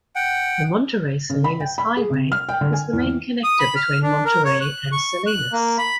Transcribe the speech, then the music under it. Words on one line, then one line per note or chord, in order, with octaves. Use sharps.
The Monterey-Salinas Highway is the main connector between Monterey and Salinas.
F#5 G5
C#3
B5
G5
B5
G#4
C3
F6
G5
D3
G#5
E2
E3
D#6
B5
F6
D4
A#4
C#5
F#6
C#6
F#6
A#3
B5